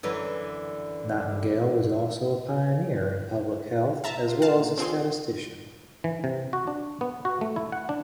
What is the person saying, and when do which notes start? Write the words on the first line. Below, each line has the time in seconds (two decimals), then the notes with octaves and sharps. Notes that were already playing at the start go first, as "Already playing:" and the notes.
Nightingale was also a pioneer in public health as well as a statistician.
0.03 F#2 D3 E3
4.04 E5 A5 A#5
4.27 F4
4.42 F5 A5
4.56 A#2
4.78 C4 F4 G#4 C6
6.04 E3
6.24 C3
6.53 F#4
6.67 D4
7.01 B3
7.25 F#4
7.41 A3
7.56 E4
7.72 F#5
7.89 D4